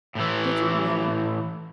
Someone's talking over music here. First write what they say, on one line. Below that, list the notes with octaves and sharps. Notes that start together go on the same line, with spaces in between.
"Did you, really?"
A2 E3